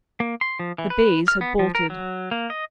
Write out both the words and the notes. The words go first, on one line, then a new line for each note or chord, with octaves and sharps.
The bays had bolted.
A#3
C6
F3
E3
B4
F6
B3
F3
A#4
F#3
A#3
D#5